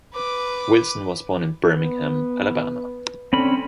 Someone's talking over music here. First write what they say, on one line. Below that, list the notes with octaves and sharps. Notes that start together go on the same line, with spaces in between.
Wilson was born in Birmingham, Alabama.
B4 D6
B3
D3 C4 C#4 B5